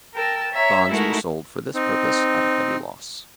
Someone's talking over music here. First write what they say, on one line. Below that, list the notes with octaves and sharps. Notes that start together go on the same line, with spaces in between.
Bonds were sold for this purpose at a heavy loss.
A#4 G5 A5 E6
C#5 E5 A#5
G#3 A3 D#4 E4 F#4 A#4
C4 D#4